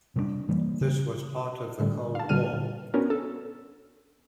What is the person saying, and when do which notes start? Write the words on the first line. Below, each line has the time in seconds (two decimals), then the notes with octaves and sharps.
This was part of the cold war!
0.16 C3 G3 A3 D4
0.49 E3 G3 A#3
0.81 C#3
1.80 A2 D3 G3
2.15 F5 A5
2.29 A#2 D3 G3 F6 D#7
2.53 A#2
2.94 B3 C#4 D4 F#4 A#4
3.10 A4